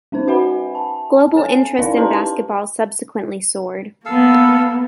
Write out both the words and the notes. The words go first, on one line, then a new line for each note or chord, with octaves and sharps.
Global interest in basketball subsequently soared.
G#3 C#4 D#4 C5
F#4 B4 E5 F#5 G#5 B5
A5
C#4 A4 C#5 G#5
C#4 D#4 E4 A#4 D5 F5
G4 A4 B4 A5 A#5 C6
A#3 B3 A4 F5 E6